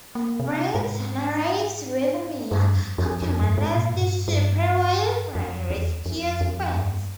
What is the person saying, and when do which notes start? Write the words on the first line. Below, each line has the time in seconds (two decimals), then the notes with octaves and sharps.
Brian soon arrives with Mia, who commandeers the Supra while Brian rescues Vince.
0.15 A#3
0.40 C3
0.75 G#2
2.51 G2
2.76 F2
2.98 F2
3.22 F2
3.41 G2
3.58 G#2
3.76 A#2
3.93 G2
4.28 G2
5.35 F2
5.70 E2
6.06 F2
6.41 F2
6.75 G2